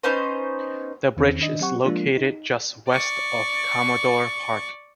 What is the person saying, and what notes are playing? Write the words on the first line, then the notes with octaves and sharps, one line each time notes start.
The bridge is located just west of Commodore Park.
B3 C#4 D#4 C5
E2 D#3 C4 C#4
D#3 D4 D#5
F#3 C4 G4 F#5 C#6
F3 G#3 A#3 D4 F4
D#4
D5 C#6